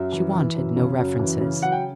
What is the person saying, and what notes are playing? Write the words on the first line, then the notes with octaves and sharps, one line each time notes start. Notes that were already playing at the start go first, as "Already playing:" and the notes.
She wanted no references.
Already playing: F#2 E5
E3
E3
F#2
C#3
F#2
E3
C#3
F#3 F#5
G5